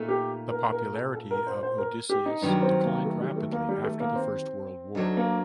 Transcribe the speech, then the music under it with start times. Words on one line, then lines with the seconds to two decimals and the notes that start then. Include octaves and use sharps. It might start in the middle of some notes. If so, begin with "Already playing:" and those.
The popularity of "Odysseus" declined rapidly after the First World War.
Already playing: A#2 A3 D#4
0.09 G4
0.51 A#4
0.72 A#4
0.94 A4
1.14 A4
1.31 A#4
1.47 C5
1.63 C5
1.78 A#4
2.10 G4
2.26 D#4
2.42 G2 D#3 F#3 D4
2.62 C4
2.84 A#3
3.05 A3
3.21 G3
3.36 A3
3.52 A#3
3.69 G3
3.84 A3
4.00 A#3
4.15 C4
4.95 D2 D3 F#3 A3 D4 D#4
5.17 A#3